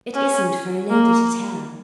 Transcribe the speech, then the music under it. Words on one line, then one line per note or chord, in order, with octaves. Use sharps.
'It isn't for a lady to tell.'
C#4
A#3